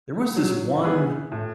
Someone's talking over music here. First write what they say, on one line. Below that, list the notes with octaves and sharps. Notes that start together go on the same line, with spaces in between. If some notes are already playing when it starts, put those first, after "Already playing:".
There was this one
F#3
B3 E4 G#4 B4
A2